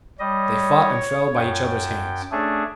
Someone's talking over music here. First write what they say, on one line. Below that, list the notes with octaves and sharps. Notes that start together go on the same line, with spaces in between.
They fought and fell by each other's hands.
G3 C#5 D#5
F#2 G5
A3 C#4 D4 G#4